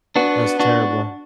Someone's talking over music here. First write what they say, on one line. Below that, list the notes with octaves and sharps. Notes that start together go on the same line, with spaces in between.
it was terrible.
B3 D4 F#4
D4 F#4